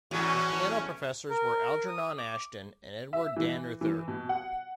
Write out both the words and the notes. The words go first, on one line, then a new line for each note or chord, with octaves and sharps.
His piano professors were Algernon Ashton and Edward Dannreuther.
E2 A2 C#4 F#4
A#4
D#6
D6
E5
E3
E3
B2
F#5